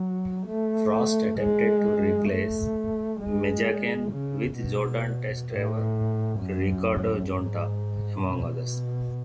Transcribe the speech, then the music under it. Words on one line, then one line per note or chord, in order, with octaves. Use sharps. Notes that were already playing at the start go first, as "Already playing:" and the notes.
Prost attempted to replace Mazzacane with Jordan test driver Ricardo Zonta, among others.
Already playing: F#3
A3
G#3
A3
G#3
C#3
B2
A2
F#2
G#2
B2